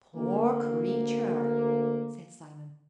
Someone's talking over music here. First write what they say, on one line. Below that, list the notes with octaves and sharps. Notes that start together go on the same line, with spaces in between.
"Poor creature!" said Simon.
D2 A#3